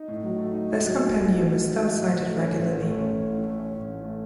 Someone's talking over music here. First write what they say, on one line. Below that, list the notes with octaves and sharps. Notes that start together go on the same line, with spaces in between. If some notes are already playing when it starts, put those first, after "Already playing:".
This compendium is still cited regularly.
Already playing: D#4
A2
F#3
A3
D#4
A2
F#3
A3
D#4
A2
F#3
A3
D#4
A2
F#3
A3
C#4
A1
A2
A3
C#4
A1
A2
A3
C#4
A1
A2
A3